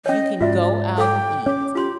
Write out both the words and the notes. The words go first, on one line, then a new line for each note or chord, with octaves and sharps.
you can go out and eat,
C#4 C#5 D#5
G#2 F4 F#4 D5 E5
A4 G5 D6
C#4 C#5 D6
F4 G4 C6